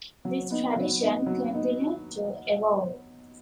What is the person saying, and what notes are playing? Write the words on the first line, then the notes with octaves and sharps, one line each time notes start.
This tradition continued to evolve.
F#3
B3 D#4
F#3
B3 D#4
F#3
B3 D#4